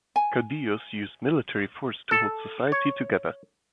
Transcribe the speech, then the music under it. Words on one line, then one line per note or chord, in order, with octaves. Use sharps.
Caudillos used military force to hold society together.
G#5
A4
C#5